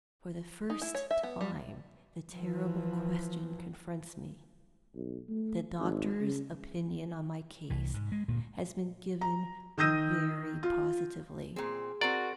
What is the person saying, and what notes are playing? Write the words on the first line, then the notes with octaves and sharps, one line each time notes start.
For the first time, the terrible question confronts me: The doctor's opinion on my case has been given very positively.
D#4
E4
C#5
E5
B3
G3
E3 F3
B1
A3
G#1
C#3
C2 E3
G#2
G#3
D2 G2 A#2
A#5
D#3 D#6 E6 G6 A#6 D#7
F4
A#2 C4 G#4
C4 F#4 A#4 D5